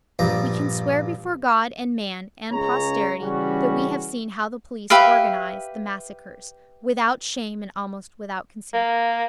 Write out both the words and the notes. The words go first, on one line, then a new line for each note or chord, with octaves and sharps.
We can swear before God and man and posterity that we have seen how the police organise the massacres, without shame and almost without concealment.
A#1 G2 F3 A#5
C#2 C#3 G#4 C#5 A#5
C#3 E3 G3 C#4 F#4
G4 B4 E5 F5
A#3